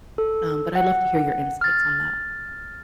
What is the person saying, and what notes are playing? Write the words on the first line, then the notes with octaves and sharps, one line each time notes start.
um, but I'd love to hear your insights on that.
A4
F#5
F6 A6